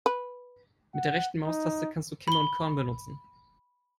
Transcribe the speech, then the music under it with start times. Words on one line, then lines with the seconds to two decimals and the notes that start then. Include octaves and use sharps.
Mit der rechten Maustaste kannst du Kimme und Korn benutzen.
0.06 B4
0.95 F#5
1.45 D#4
2.28 B5 G7